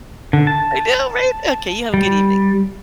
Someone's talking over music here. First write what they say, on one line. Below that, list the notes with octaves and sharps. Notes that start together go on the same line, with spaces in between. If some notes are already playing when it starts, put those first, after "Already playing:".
I know, right? Okay, you have a good evening.
D3
A5
G3